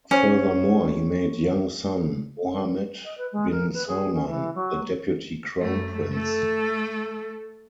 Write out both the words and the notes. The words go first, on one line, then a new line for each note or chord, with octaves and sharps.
Furthermore he made young son, Mohammed bin Salman the Deputy Crown Prince.
C#4 C5 C#5 G#5
D#5
B4
G#3
A#4
B4
G#4
C#4
E3
F#3
F#2 A3
A3 A4